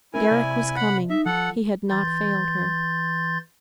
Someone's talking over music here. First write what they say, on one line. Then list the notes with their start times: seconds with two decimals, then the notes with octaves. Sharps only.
Deryck was coming. He had not failed her.
0.14 A3 C#4 E4 A#4 G#5
0.31 C3 D5 E5
0.76 F#5 B5
1.10 D#4 E5
1.26 F3 A4 F#5
1.89 E3 C6 G6 A6